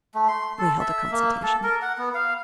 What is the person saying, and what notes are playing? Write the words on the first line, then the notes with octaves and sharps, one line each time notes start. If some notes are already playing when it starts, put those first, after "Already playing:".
We held a consultation.
A3
C6
A4
E5
A#3
A4
A#4
F#5
B3
F5